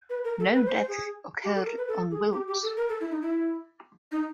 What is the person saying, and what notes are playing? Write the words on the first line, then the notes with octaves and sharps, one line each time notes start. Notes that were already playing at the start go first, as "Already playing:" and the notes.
No deaths occurred on "Wilkes".
B4
A#4
A4
B4
C5
C5
G#4
G4
A4
A#4
B4
A4
G#4
G4
G4
A4
A#4
A4
E4
D#4
E4
D#4